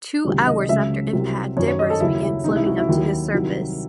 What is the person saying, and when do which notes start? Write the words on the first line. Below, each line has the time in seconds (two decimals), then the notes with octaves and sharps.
Two hours after impact, debris began floating up to the surface.
0.25 C#2 C3 D#3 F#3
0.47 D#5
0.69 C#2 C#3 F#3 E5
1.13 C2 C3 F#3
1.57 F#2 D#3 F#3 C#5
1.67 C#5
1.79 D#5
1.90 A4
2.00 D#2 C#3 F#3 E4
2.22 E4
2.44 C#2 C3 E3 D#4
2.56 E4
2.66 F#4
2.78 E4
2.88 D#2 D#3 F#3
3.32 C2 C3 D#3 F#3